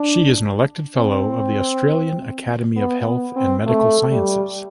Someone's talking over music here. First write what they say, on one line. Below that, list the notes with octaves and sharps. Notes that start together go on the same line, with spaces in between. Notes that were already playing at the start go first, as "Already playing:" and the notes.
She is an elected Fellow of the Australian Academy of Health and Medical Sciences.
Already playing: D4
C4
B3
B3
C4
A3
G3